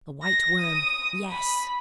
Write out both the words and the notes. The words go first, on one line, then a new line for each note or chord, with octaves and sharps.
"The White Worm--yes!"
A#6
D#6
B5